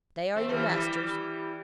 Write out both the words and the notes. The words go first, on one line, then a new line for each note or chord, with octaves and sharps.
They are your masters.
A3 C4
A3
E3 G3
E3 G3